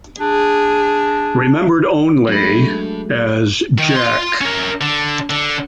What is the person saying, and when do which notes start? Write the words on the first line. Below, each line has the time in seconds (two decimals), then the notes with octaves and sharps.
Remembered only...as Jack.
0.20 D4 G#4
2.28 F#3 G#3 A3 D4 B5
3.78 D#3
3.95 F4 C6
4.41 C#4 A#4
4.81 D3
5.30 D3